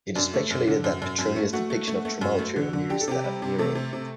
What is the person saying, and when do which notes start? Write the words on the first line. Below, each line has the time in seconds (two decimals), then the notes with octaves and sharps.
It is speculated that Petronius' depiction of Trimalchio mirrors that of Nero.
0.15 F#2 D4 D5
0.34 A3
0.50 F#2
0.68 D3
0.84 F#2
1.02 F#2
1.19 F#2
1.36 A3
1.53 A3 F#4
1.70 A3
1.87 A3
2.05 A3
2.21 F#2
2.39 A3
2.56 D3
2.73 D3
2.90 D4 G4
3.01 A4
3.08 C3 G4
3.24 G3
3.42 C3
3.58 C3 A3 A4
3.75 C3
3.93 C3